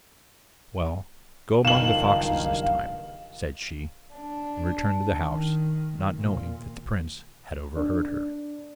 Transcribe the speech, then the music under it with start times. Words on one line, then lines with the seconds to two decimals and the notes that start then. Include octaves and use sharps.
'Well, go among the foxes this time,' said she, and returned to the house, not knowing that the prince had overheard her.
1.65 F#1 G2 A#2 D#3 F5 E7 F#7
4.13 D4
5.19 D#3
6.17 A#2
7.76 D4